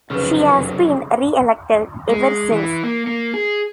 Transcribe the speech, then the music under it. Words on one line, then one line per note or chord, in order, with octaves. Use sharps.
She has been reelected ever since.
F1 F#2 C#3 F3 F#3 B4 C#5 F6
G#3
E3
A#3
A#3
G#4